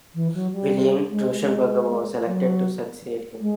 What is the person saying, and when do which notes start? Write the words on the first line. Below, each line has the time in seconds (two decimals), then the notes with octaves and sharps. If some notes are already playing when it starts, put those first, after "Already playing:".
William Rauschenberger was elected to succeed him.
0.15 E3
0.34 F#3
0.53 G3
1.11 G#3
1.40 G#3
2.26 F#3
3.41 G#3